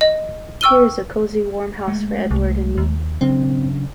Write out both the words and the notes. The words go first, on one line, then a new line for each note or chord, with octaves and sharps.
Here's a cozy warm house for Edward and me.
D#5
G5 C#6 E6 F6 D#7 G7
G#3 A3
C2
D#2
C#3 F#3 C4 D4